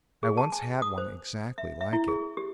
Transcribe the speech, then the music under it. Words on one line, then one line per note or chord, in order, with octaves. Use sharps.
"I once had one exactly like it."
G#4
A5
G#5
D#6
C5
E5
E5
E4
G#4
G4